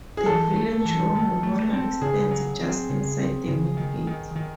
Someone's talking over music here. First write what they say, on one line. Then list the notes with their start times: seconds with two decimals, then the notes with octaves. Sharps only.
The village war memorial stands just inside the main gate.
0.17 G#4
0.26 E3 A4
0.56 A3
0.85 E3
1.15 D#3
1.43 A3
1.73 C4
2.01 C#3 G#4
2.31 F#3
2.61 C4
2.89 C#3
3.19 C4
3.47 C#3
3.77 D#3
4.07 D#3
4.36 D#3